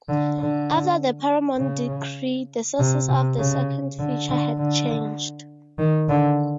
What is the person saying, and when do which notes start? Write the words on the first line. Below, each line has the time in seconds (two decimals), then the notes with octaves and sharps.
After the Paramount Decree the sources of the second feature had changed.
0.09 D3
0.39 D3
1.58 C#3
2.80 C3
3.09 C3
3.39 C#3
3.99 D3
4.30 D3
4.59 D3
5.78 D#3
6.09 D3